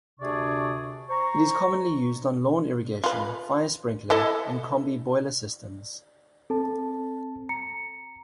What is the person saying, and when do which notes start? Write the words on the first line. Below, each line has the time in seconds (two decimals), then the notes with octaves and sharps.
It is commonly used on lawn irrigation, fire sprinkler and combi-boiler systems.
0.20 D2 C3 D4 G#4 D5 C#6
1.09 C5 A#5 C#6
3.04 F4 B4
4.10 E4 A4 D#5
6.50 C4 A4 A5
7.49 A#5 C#7